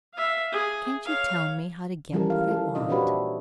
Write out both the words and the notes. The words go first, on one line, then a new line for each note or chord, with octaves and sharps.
"Can't you tell me how to get what I want?"
E5 F5
G#4
C#5 F5
E3 F3 G3 C#4 A4 A#4
F5
F4 A4
A#2 D4 D#4 F4 D#5
C4 D4 F#4 G4 B4 C#5
E5